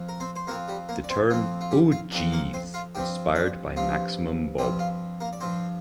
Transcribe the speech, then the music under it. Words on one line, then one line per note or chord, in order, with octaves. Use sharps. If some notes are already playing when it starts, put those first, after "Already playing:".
The term "Oh Jeez..." inspired by Maximum Bob.
Already playing: F2 F3
A#4
C4 C5
C5
F2 F3 A#3 C4 A#4
G3 G4
A#3 A#4
D5
C4 C5
F2 F3 C4 F4
F4
G3 G4
F4 F5
F2 F3 C4 D4 D5
A#3 A#4
C4 C5
F4 F5
G2 F3 C4 G4 G5
D4 D5
G2 F3 C4 F4
G2 F3 G3 C4 G4
F4
A#3 A#4
D5
G2 F3 C4 C5